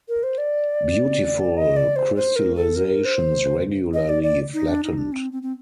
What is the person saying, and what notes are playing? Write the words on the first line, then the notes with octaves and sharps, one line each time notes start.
Beautiful crystallizations regularly flattened.
A#4
C5
D5
D#5
D5
C5
C5
A#4
A4
A#4
C5
D#5
D5
D5
D#4
D4
D#4
D4
C4
C4
C4